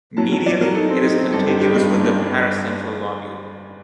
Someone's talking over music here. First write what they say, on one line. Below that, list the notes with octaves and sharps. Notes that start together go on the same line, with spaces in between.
Medially, it is contiguous with the paracentral lobule.
F#3 A5
F#3 A5
F#3 D5
F#3 A#4
D#4 A4
C4
D#4
C4
G1 A4
G1 G4
G1 G4
G2 G4
G1
G2
G1